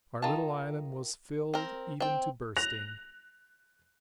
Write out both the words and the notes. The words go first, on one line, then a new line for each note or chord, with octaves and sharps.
Our little island was filled even to bursting.
D#3 F4 A5
C4 A#4
C4 G5
F#6 A#6 F7